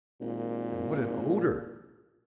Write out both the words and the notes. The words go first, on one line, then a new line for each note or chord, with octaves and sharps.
And what an odour!
G#1 A#2